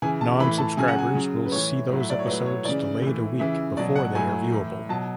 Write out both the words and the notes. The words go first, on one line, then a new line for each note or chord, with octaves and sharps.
Non-subscribers will see those episodes delayed a week before they are viewable.
C#3 E3 G#5
A5
E3 B5
A2
A5
C#3 F#3 G#5
F#5
G#5
C#3 F#3
B4
A2 E3 C#5
A2 F#3
E5
D5
C#5
A2 F#3 B4
C#5
C#3 E3 D5
A2 E3
C#3 E3 E5
B2 F#3 D5
F#5
A2 F#3 G#5
A2 E3
B2 F#3 A5